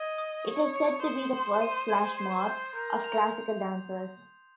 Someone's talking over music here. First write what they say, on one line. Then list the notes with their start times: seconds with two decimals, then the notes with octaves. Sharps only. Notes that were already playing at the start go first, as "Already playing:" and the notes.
It is said to be the first flashmob of classical dancers.
Already playing: D#5 G#6
0.18 D#6
0.47 C#5 D#6
0.76 C#7
1.04 C5 D#6
1.33 C6
1.62 D#7
1.90 G#6
2.18 C7
2.47 G6
2.75 A#4 G6
3.04 F7